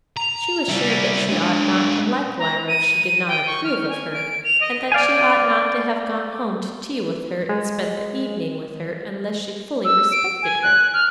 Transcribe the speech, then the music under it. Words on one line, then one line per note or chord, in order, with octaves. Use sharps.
She was sure that she ought not to like Lyra if she did not approve of her, and that she ought not to have gone home to tea with her and spent the evening with her unless she fully respected her.
A#5
G3 E4
G#3 D4
A#5
D#7
G5
C#6
F6
G#5
D7
F7
D#5
D5 F5 G5 G#5
G#3
E6
D7
G#5
F#6
F6